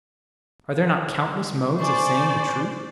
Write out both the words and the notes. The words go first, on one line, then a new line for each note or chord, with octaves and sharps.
Are there not countless modes of saying the truth?
C5 D5 G#5 C#6